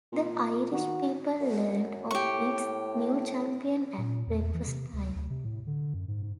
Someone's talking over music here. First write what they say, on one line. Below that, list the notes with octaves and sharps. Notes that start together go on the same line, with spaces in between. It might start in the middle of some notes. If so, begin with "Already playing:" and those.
The Irish people learned of its new champion at breakfast time.
A#2
D#3 F#4
F#2
A2 G4 C#6
A#2
E2
E3
C3
D2
D2
C3
A2
D3
F#2
G#2
G#2